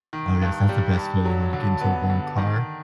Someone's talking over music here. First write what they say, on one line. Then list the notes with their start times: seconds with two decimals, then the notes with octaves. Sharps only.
Oh, yes. That's the best feeling when you get into a warm car.
0.13 D#3
0.42 G2
0.69 G3
0.97 G2
1.25 F#3
1.53 D3
1.81 B3
2.10 D3
2.38 D#3